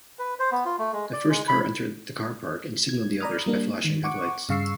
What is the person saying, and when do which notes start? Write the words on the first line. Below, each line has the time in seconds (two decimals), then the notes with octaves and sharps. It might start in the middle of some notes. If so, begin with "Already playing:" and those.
The first car entered the car park and signaled the others by flashing headlights.
0.19 B4
0.39 C5
0.52 B3
0.65 F4
0.78 A3
0.93 G#3
1.13 D5
1.29 G#3
1.48 B5
2.89 G#6
3.21 D5 A#5 B5 D#6 F6
3.46 G3 A#3 D4
3.85 D#3
4.04 F#5 C#6 D6
4.49 G2 C#3 F5 C#6 E6 C7